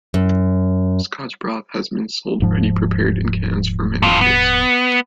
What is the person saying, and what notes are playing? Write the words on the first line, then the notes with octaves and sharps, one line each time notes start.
Scotch broth has been sold ready-prepared in cans for many years.
F#2
D#1 G#2 F3
G2 F4
B3